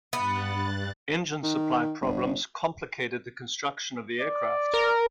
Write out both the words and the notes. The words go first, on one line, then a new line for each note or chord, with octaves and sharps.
Engine supply problems complicated the construction of the aircraft.
G2 B3 F#6 A6
D#3
G1
D5
A#4